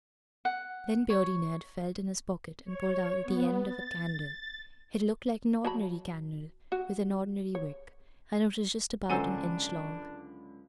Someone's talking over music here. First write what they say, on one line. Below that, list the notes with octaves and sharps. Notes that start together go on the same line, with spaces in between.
Then Beardy Ned felt in his pocket and pulled out the end of a candle. It looked like an ordinary candle, with an ordinary wick, and it was just about an inch long.
F#5
C#5
C#5
B3
A6
F#3 A5 B5
F#4
C#5
C#2 D3 F#3 C#4 D4 A4 C5 G#5